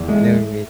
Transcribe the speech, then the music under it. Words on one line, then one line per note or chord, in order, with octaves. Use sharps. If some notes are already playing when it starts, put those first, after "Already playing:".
I know what you mean.
Already playing: E2
G#3 A3